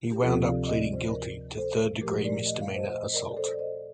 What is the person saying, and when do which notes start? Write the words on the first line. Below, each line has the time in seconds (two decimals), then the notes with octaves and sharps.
He wound up pleading guilty to third-degree misdemeanor assault.
0.11 G4
0.22 D2 C3 F3 C4 F4 A4
0.45 D5 F5
0.67 D#5
0.80 D5
0.94 C5
1.08 A#4 D5
1.57 A4 C5
2.01 A#2 F3 A3 G4 A#4
2.25 A#4 D5
2.47 D#5
2.61 F5
2.74 C5 D#5
2.92 C5 D#5
3.10 D#5
3.14 A#4 D5
3.29 D5
3.37 A4 C5
3.53 D5
3.59 C5 D#5